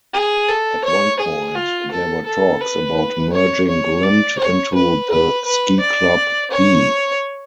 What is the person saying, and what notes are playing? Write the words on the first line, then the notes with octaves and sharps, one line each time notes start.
At one point, there were talks about merging Glimt into the Ski Club B.
G#4
A4
C#5
G#4
F4
A4
A4
B4
C#5
C#5
D5
C#5
B4
B4
B4
D5
C#5